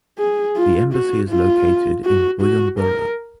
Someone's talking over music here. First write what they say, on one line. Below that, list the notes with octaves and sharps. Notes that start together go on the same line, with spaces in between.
The Embassy is located in Bujumbura.
G#4
F4
F#4
F4
F#4
F#4
A#4